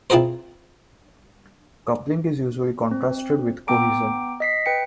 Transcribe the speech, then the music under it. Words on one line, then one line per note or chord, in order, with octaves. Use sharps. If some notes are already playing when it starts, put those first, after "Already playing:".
Coupling is usually contrasted with cohesion.
C4 E4 F4 G#4 A#4 C5
C4
B3 G5 A#5 D6 D7
D#5 B6 C7
B4 G5 C#7